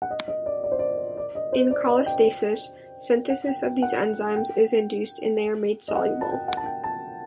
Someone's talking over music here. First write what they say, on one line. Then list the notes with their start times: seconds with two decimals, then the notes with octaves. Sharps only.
In cholestasis, synthesis of these enzymes is induced and they are made soluble.
0.02 F#5
0.10 D#5
0.28 D#5
0.46 D5
0.64 D5
0.72 C5
0.79 D5
1.17 D5
1.35 D#5
1.53 C5
1.71 D5
1.88 D#5
2.06 G5
2.23 G5
3.30 F#5
3.47 G5
3.65 G5
3.82 F#5
4.36 G5
5.88 D#5
5.95 F#5
6.21 A5
6.31 G5
6.48 F#5
6.57 A5
6.66 G5
6.84 A5